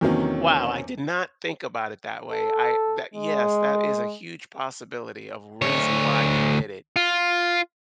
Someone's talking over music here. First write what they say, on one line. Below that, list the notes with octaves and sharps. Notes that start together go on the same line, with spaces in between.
Wow, I did not think about it that way. I that yes, that is a huge possibility a reason why he did it.
E2 C3 D#3 F#3 A#3 C#4
A4
G#3
D2 C#5
F4